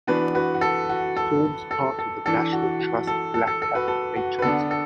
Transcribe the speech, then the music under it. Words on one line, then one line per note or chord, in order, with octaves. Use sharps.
It forms part of the National Trust Blackcap nature reserve.
E3 B3 D4 F#4 B4
F#4 B4
F#4
A4
F#4
A4
A4
A4
E3 D4 A4
F#4
F#4
A4
A4
A4
A4
F#4 B4
A4
F#4
B4
D3 B3 D4 A4
A4